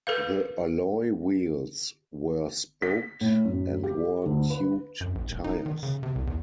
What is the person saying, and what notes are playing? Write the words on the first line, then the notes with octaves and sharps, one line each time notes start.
The alloy wheels were spoked and wore tubed tyres.
A4 B4 F5
B6
A2
F#2
G4
D2
B4
F#2
A#1
E1
D#4
D#3
C#3
C3
C2
E2